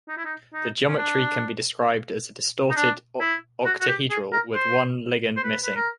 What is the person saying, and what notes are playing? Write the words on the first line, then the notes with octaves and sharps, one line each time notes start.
The geometry can be described as a distorted octahedral with one ligand missing.
D#4
E4
D#4
D#4
C#4
D4
D#4
D4
E4
F#4
F#4
G4
G#4
A#4
C5
C5
B4
B4
A#4